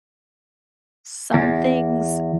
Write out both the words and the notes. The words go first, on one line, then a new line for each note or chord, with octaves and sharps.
some things
E2